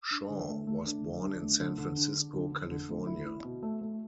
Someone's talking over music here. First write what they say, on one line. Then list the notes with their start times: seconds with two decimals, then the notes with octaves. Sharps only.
Shaw was born in San Francisco, California.
0.11 D4
0.29 D3
0.49 A3
0.67 A3
0.86 D4
1.04 D3
1.22 D4
1.41 A3
1.60 D3
1.78 D3
1.97 D4
2.15 D4
2.33 D3
2.52 D3
2.71 D3
2.89 A3
3.07 E4
3.26 E4
3.45 B2
3.63 A3
3.81 A3